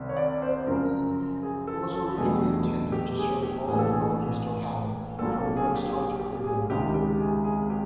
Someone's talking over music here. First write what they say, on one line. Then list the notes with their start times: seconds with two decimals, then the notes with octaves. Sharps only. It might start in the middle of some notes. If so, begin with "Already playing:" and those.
It was originally intended to serve all of northeast Ohio from Youngstown to Cleveland.
Already playing: C2 C3 D#3
0.09 C#5
0.17 D5
0.42 C5
0.67 F#2 C#3 F3 A#4
1.43 G#4
1.67 A4
1.93 A4
2.18 E2 B2 F#3 A3 D4 G#4
2.92 G4
3.19 G#4
3.42 G4
3.68 A#1 A2 E3 G#4
3.79 A4
3.89 G#4
5.19 A#1 A#2 F#3 A#3 A4
5.37 A4
5.57 G#4
5.75 G4
5.93 G#4
6.19 G4
6.44 G#4
6.70 C#2 C3 D#3 G#3 G4
6.94 G4
7.20 G#4
7.44 G#4
7.70 G4